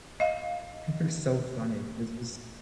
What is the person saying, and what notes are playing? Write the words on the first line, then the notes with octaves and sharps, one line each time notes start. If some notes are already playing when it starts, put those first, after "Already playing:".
They're so funny. It's just
D#5 F5